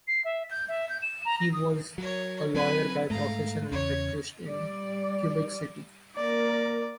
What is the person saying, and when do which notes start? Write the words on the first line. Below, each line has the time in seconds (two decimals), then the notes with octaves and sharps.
He was a lawyer by profession, and practised in Quebec City.
0.08 C7
0.25 E5
0.51 G6
0.69 E5
0.89 G6
1.02 E7
1.25 A#5
1.40 A#6
1.53 D#6
1.98 F#3 A#4 C#5
2.54 F#3 C4 B4 G#5
3.10 G#2 A3 F5 A#5
3.72 E2 C#3 C#5
4.47 G3 D5
6.17 A#3 A#4 D5